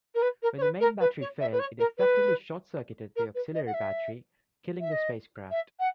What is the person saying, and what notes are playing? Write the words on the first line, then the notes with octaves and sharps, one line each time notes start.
When the main battery failed, it effectively short-circuited the auxiliary battery, killing the spacecraft.
A#4
B4
A#4
C#5
B4
A#4
B4
C#5
E5
B4
C#5
A#4
B4
A#4
B4
D#5
F#5
E5
E5
D#5
E5
F#5